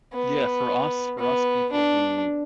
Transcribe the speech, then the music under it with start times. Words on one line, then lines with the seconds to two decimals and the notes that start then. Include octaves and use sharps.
Yeah, for us for us people who
0.13 B3
1.19 B3
1.72 D4